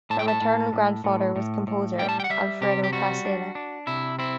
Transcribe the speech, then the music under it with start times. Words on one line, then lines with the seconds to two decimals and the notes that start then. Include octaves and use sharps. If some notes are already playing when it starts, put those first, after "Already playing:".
Her maternal grandfather was composer Alfredo Casella.
0.10 A2 A5
0.19 G5
0.28 A5
0.41 A2
0.73 A2
1.04 A2
1.36 A2
1.67 A2
1.98 G3 G5
2.09 A5
2.20 G5
2.24 F#5
2.30 G3 E5
2.61 C3 G4
2.84 G4
2.93 G3 F#4
3.25 D4
3.55 D4
3.87 C3 E4
4.19 C4 E4